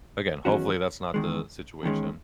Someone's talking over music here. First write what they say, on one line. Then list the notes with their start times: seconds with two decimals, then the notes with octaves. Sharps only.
again, hopefully, that's not the situation.
0.45 E2 D#3 F#3 C#4 F#4
1.14 E2 D#3 G#3
1.83 E2 D#3 G#3 C#4